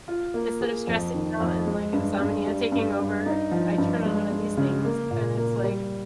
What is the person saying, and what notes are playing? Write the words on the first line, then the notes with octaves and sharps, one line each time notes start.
Instead of stressing out and, like, insomnia taking over, I turn on one of these things, and it's like
F4
A#3
G#4
F2
D#3
F2
G#3
G2
G2
G3
G2
G2
D#4
F3
G2
G#3
G#3
C#3
A#3
A#2
A#3
G3